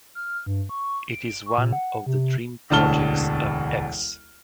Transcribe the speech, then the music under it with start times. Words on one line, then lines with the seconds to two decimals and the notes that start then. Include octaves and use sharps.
It is one of the dream projects of Ex.
0.15 F6
0.46 G2
0.69 C#6
1.08 D7
1.46 C#6
1.58 A#2
1.73 F#5
2.06 C3
2.70 E1 A1 D2 A5 F6 G7